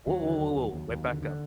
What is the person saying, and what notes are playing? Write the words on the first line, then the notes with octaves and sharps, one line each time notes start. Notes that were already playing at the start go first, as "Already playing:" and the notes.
Whoa, whoa, whoa, whoa, wait, back up.
D#2 F#3
D3
D#2
D#2
D#2
D#2
D3
D3